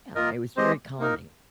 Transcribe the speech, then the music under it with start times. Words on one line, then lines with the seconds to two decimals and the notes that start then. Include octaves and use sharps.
yeah, it was very calming,
0.15 A#3 F4 A#4 D#5
0.57 G#3 C4 G4 C5 D#5
0.99 A#3 D#4 A#4